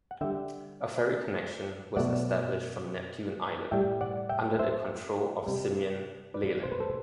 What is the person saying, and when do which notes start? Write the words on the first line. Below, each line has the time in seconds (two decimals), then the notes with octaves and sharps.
A ferry connection was established from Neptune Island, under the control of Simeon Leland.
0.11 F#5
0.21 D3 G3 E5 G5
1.96 B2 F#3 A3 D5 F#5
3.71 A2 G3 E5 G5
4.01 D5 F#5
4.29 E5 G5
4.59 C5 E5
5.46 C3 G3
6.34 B4 D5
6.63 C5
6.72 B4
6.80 A4 C5